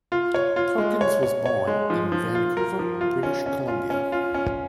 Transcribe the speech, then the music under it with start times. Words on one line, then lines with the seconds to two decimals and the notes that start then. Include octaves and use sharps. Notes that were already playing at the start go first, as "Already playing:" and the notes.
Perkins was born in Vancouver, British Columbia.
0.12 F4
0.34 C#5
0.56 F4
0.78 G#3
1.01 C#5
1.23 C#5
1.46 C#5
1.67 G#3
1.90 F3
2.12 F3
2.35 F4
2.57 A#4
2.79 F3
3.01 F4
3.23 C#4
3.46 C#4
3.68 F4
3.90 C#4
4.12 F4
4.34 C#4